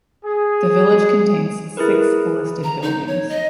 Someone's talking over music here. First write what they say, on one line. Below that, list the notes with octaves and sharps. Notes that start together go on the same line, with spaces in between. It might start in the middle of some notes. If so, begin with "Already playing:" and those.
The village contains six listed buildings.
G#4
E4 G#4 A#4 B4
A#5
D#4
C#5
D#5